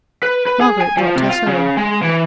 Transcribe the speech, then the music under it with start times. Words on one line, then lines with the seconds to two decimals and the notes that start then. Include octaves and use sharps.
Margaret dropped her sewing.
0.23 B4
0.46 B4
0.61 G#4
0.80 G#5
0.97 F3
1.15 C3
1.29 F4
1.47 C#3
1.77 G#3
2.02 E3